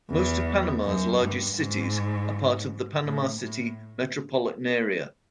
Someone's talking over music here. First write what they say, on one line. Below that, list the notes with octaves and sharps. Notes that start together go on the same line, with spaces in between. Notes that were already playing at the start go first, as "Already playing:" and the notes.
Most of Panama's largest cities are part of the Panama City Metropolitan Area.
E2
F#2
G2
G#2
A2
A2